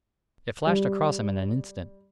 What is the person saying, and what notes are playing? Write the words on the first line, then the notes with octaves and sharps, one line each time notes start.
It flashed across him in an instant.
G3